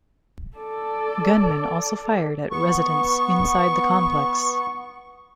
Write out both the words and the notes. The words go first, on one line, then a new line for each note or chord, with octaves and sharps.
Gunmen also fired at residents inside the complex.
A4 D5
B3 C#6